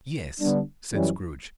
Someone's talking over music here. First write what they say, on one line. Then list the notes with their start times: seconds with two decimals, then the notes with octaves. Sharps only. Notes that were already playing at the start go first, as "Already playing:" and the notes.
"Yes," said Scrooge.
0.41 D3 G3 B3 D4
0.90 F#2 E3 G3 C#4